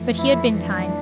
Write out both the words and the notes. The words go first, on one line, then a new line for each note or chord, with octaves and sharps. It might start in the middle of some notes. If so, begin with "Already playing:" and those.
But he had been kind.
Already playing: F2 E3 A3
E4
D4